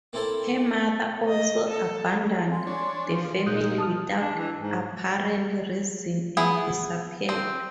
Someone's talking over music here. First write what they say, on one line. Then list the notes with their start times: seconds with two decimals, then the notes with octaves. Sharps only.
Her mother also abandoned the family without apparent reason and disappeared.
0.13 A#3 C4 E4 A4 C5 G5
1.28 D#5
1.70 A4
2.52 G#5 C6
2.67 D4 C#5
3.09 F3
3.46 A#2 D#4 D#6 F#6 G6
3.78 A5 D#6 F6
4.21 D4
4.36 E3
4.58 G#2
6.37 B3 E4 G#4
7.29 C4